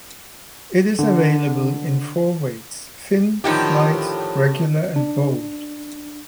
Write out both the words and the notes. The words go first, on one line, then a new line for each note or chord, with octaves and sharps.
It is available in four weights: thin, light, regular and bold.
D3
A2 D3 D#3 F3 G4
D4